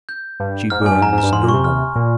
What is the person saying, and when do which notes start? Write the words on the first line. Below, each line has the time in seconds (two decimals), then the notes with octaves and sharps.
"She burns no more."
0.09 G6
0.40 G2
0.70 G#2 F6
0.81 A#2
0.86 G#5
0.91 G2
1.01 G#2 A#5
1.13 G#2
1.18 A#5
1.23 G2
1.33 G#2 C6
1.43 A#2
1.48 C#6
1.54 C3
1.64 F6
1.96 A#2